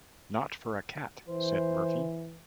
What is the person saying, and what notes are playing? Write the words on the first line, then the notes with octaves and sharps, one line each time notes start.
"Not for a cat," said Murphy.
E3 C5